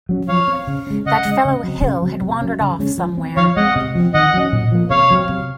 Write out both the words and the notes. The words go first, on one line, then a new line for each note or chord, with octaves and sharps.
That fellow Hill had wandered off somewhere.
F#3 C#4
F3 C#5 F5
C4
C#3
G#3 C#4
C#3 D#5 F#5
G#3 C#4
C#3
F#3 C4
C#3
F#3 C4
C3
F#3 C#4
C#3
G#3 C#4
F3
C4
F3 C#5 F5
G#3 C4 D#5 F#5
C3
F3 C4
D#3 D#5 F#5
F#3 C#4
A#2
F3 A#3
C3 C#5 F5
F#3 C4
C3